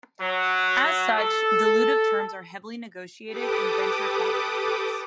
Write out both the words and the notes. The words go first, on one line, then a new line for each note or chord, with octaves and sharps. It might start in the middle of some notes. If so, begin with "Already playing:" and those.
As such, dilutive terms are heavily negotiated in venture capital deals.
F#3
A4
G4 A4 B4 D6 D#6